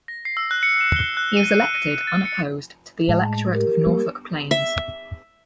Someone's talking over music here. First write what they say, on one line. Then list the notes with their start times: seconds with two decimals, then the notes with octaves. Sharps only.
He was elected, unopposed to the electorate of Norfolk Plains.
0.08 A#6
0.25 C7
0.37 E6
0.51 F#6
0.63 C#7
0.81 E7
0.96 G7
1.17 F#6
1.37 D#7
1.74 D#7
2.07 A6
2.25 C#7
3.09 A2 G#3 A5
3.53 G4 A#4
3.87 G3 A#3
4.51 E5